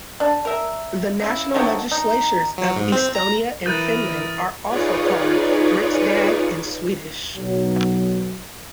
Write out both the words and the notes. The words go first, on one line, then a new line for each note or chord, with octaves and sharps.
The national legislatures of Estonia and Finland are also called Riksdag in Swedish.
D4
A#4 E5
C#3 D#4 E4
D3 D#3 F3 F#3
D#4
F#3
G#2
C4
A#5
E3 A#4 B5 D#6 F#6 G6 A6 D#7
D#4 F4 G#4 B4 C#5 D5
B1 F#3